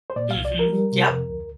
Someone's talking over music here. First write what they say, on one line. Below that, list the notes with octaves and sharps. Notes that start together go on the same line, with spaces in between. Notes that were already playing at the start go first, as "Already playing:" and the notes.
Mhm, yep.
C5
A#2 D5
C2 F5
D5
F3 A#4
G3
C3
F2
D2